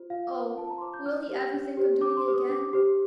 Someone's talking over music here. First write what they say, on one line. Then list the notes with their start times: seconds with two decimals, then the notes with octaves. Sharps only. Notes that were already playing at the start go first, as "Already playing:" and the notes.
Oh! will be ever think of doing it again!
Already playing: F4 C5
0.10 F4 F5
0.34 C5
0.58 F4 A5
0.70 A#5
0.78 C6
0.81 C5 D6
0.94 G6
1.06 D4 F6
1.29 G4 C5
1.54 D4
1.77 G4 C5
2.01 D4 D6
2.17 C6
2.25 G4 C5
2.33 D#6
2.49 D4 D6
2.73 G4 C5